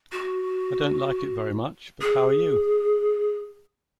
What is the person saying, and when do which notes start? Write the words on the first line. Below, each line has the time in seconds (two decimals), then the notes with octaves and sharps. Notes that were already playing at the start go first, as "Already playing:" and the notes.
I don't like it very much, but how are you?
0.12 F#4
2.02 G#4